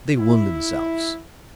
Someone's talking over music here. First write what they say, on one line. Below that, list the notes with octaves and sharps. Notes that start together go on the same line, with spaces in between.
They wound themselves.
E4